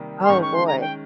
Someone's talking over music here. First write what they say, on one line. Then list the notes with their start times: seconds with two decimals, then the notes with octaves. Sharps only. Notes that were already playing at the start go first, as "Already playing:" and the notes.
Oh, boy.
Already playing: C3 D#3 G3 A#3
0.24 C6
0.29 D#3 G#3 C#4 C#6
0.42 C#6
0.54 C6
0.67 A#5
0.81 G5